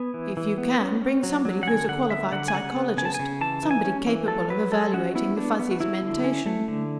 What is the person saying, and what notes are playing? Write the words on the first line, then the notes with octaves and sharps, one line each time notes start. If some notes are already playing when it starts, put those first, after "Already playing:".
If you can, bring somebody who's a qualified psychologist, somebody capable of evaluating the Fuzzies' mentation.
Already playing: B3 G#5
E3
E3
B3
C#4
C#4
F#3
F#3
F#5
D3 G#5
D3 F#5
D3 E5
D3 F#5
G#5
C#3 F#5
B3
C#3 G#5
A5
G#5
C#3
E3 A5
E3
G#5
C#4
E3
F#3 A4
F#3 B4
F#3 A4
C#4 F#4
B3 E4
B3 D4
B3
F#4
F#3 E4
D3
C#4
A3
D3